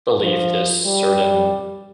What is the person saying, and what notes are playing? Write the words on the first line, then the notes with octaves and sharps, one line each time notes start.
believe this certain
F3
G3